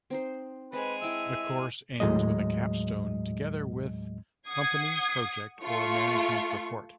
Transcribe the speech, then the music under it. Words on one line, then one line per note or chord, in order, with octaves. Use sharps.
The course ends with a capstone together with company project or management report.
C4 D#4 C5
G#3 C4 B4 G#5
E4 E5 G5 A5
D#2 A2 F#3 G#3 D#5
F#5 D#6 G#6 C7
A3 F4 C#6